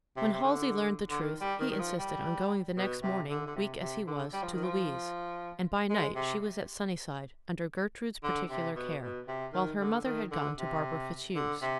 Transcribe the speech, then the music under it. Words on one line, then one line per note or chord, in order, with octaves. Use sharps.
When Halsey learned the truth, he insisted on going the next morning, weak as he was, to Louise, and by night she was at Sunnyside, under Gertrude's particular care, while her mother had gone to Barbara Fitzhugh's.
C3
C3
D3
D3
D#3
G3
D#3
D#3
F3
G3
B2
C3
D3
D3
C3
C3
D3
G3
F3
D#3
F3
G#3
C3
D3
C3
B2
B2
C3
D#3
D3
D#3
D3
C3
D3
C3